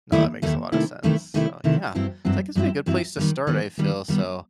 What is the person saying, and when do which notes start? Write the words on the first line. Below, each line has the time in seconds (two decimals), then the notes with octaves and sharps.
No, that makes a lotta sense, so, yeah, that gives me a good place to start, I feel so,
0.12 D#2 D#3 A3 E4
0.42 D#2 D#3 A3 E4
0.72 C3 D#3 A3 E4
1.03 C3 D#3 A3 E4
1.34 C3 D#3 A3 E4
1.64 C3 D#3 A3 E4
1.95 G2 F#3 C4 E4 G4
2.25 G2 F#3 C4 E4 G4
2.55 G2 F#3 C4 E4 G4
2.86 G2 F#3 C4 E4 G4
3.17 D#3 G3 B3
3.47 D#3 G3 B3
3.77 D#3 G3 B3
4.08 D#3 G3 B3